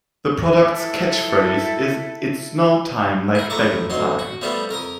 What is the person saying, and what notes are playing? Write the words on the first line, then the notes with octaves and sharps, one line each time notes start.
The product's catchphrase is It's no time like Beggin' time!
E4 A4
E4 A#4
A2 F3 E5 A#5 C#6 D6
D2 F#3 D#4 C6
F#4
F3 G3 A3 B3 E4 F4
F2 A#4 A#5 D#6